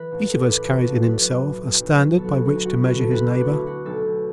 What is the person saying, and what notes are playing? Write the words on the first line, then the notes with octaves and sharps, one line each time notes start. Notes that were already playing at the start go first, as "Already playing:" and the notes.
Each of us carries in himself a standard by which to measure his neighbour.
Already playing: E3 B4
A1
A4
A1
D5
A2 B4
E3 F#4
A1 A4
F#3 B4
D5
B1 B4
A2
B1
B1
F#3
B3 A4
F#4
D2 A4
F#4
D2
F#4
B3 E4
D3 A4
D2 B4
B2 D5
F#4
A3 E4
A3 F#4
B1 A4
B1